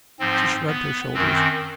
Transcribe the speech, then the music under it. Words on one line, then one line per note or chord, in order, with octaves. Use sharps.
She shrugged her shoulders.
G#2 F3 C4
B3
F#2 D#3 C4